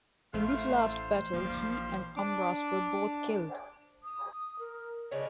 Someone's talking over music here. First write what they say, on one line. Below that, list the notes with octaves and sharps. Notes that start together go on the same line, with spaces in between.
In this last battle, he and Amras were both killed.
A1 A3 C5 F5
A#1 E3 F3 G3 A#3 F5
D4 D6
D#6
A#4
C#3 D4 C#5 D#5